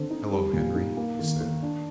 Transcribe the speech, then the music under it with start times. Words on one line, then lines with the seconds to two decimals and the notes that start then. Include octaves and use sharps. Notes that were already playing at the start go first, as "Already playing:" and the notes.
"Hello, Henry," he said.
Already playing: D3 C4
0.10 D#4
0.31 G3
0.53 A#2
0.75 D#4
0.97 A#3
1.19 D#3
1.41 D#3
1.62 D4